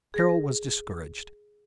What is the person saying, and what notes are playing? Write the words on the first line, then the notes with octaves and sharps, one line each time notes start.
Carol was discouraged.
G#4 A#6